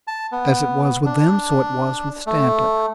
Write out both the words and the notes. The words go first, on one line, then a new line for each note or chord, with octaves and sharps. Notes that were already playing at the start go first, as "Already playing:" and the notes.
As it was with them, so it was with Stanton.
A5
B3
D4
A3